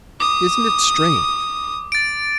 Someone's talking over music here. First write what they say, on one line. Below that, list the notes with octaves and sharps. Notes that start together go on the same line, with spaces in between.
Isn't it strange?
D6 D#6
A6 D7